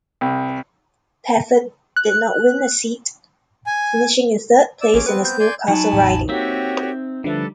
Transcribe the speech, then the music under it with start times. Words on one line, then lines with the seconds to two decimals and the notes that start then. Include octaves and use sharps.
Pafford did not win a seat, finishing in third place in his Newcastle riding.
0.21 C2
1.97 F#6
3.67 G#5
4.81 D5 E6
4.94 A1 C#4 G#4 D6
5.06 B3 C4 B4
5.25 G6
5.40 D5 G#5 C6
5.68 F#3 D#4 G#5 A5 B5
5.93 A1 E2
6.29 A#3 C4 F#4 G4 C#5 E5
7.24 D3 F3 G3 A3 A4 B4